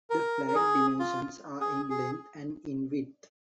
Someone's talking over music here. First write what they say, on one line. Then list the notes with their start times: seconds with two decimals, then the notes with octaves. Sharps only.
The flag dimensions are in length and in width.
0.10 A#4
0.48 A#4
0.55 G#4
1.00 F4
1.61 G#4
1.90 G#4